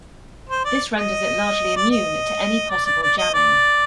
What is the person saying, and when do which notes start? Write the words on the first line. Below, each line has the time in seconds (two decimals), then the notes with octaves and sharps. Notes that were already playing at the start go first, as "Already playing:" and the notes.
This renders it largely immune to any possible jamming.
0.49 C5
0.65 D5
0.96 D#5
1.76 D5
1.91 D#5
2.70 D5
2.86 D5
3.03 D5
3.18 D#5
3.34 D5